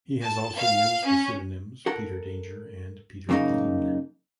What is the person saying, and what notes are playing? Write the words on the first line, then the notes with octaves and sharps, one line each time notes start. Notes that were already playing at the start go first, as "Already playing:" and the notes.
He has also used the pseudonyms Peter Danger and Peter Dean.
A5
F5
C#4
A4 A#4 F#5
F#2 C#3 A#3 B3 D#4